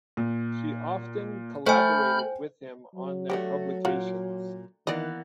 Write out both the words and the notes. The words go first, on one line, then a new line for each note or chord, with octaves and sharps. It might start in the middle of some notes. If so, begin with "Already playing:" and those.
She often collaborated with him on their publications.
A#2
A3 C5 G5 G#5 B5 F6 G6
F#3
D3 D#3 A3 F#4 G4
A#2 F4 F#4
D#3 E3 A#3 B3 D5 D#5